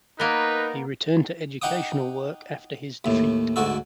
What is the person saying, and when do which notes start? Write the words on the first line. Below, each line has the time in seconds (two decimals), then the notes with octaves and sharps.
He returned to educational work after his defeat.
0.20 A#3 B3 D#4 A#4 B4
1.62 D#4 F#5 G5 D6 D#6
3.04 D#2 A2
3.56 D2 G#2 F#4 A4